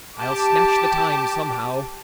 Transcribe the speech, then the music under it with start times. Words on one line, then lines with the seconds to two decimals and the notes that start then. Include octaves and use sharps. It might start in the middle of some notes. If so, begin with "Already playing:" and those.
I'll snatch the time somehow.
0.18 G4 A5 D6